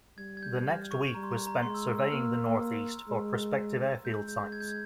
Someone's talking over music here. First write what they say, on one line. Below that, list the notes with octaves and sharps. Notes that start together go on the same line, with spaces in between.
The next week was spent surveying the Northeast for prospective airfield sites.
G3 G#6
G#6
G6
F6
C#6
G3 A#5
C6
A#5
A#5
G#3 C6
E6
E6
A#3 F6
G#3
G#3 G6
G6
G#6
G6
G#6